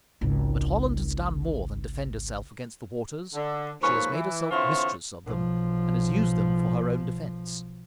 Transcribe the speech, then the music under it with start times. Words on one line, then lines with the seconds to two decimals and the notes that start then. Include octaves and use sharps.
But Holland has done more than defend herself against the waters; she has made herself mistress of them, and has used them for her own defense.
0.21 G#1 C#2
3.34 D3
3.82 D#2 G#2 F3 A#3 B4 C#5
4.12 E3
4.51 D3 E3 C4 E4 F4 C#5
5.25 B1 F3